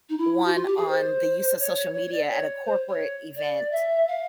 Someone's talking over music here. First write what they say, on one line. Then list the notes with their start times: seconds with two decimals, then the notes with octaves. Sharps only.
one on the use of social media at a corporate event,
0.09 D#4
0.18 E4
0.45 F#4
0.53 F4
0.65 G4
0.77 G#4
0.88 C5
1.59 C#5
1.94 C#5
2.07 C#5
2.12 D5
2.30 C#5
2.65 C5
2.89 C#5
3.36 D5
3.72 E5
4.08 F5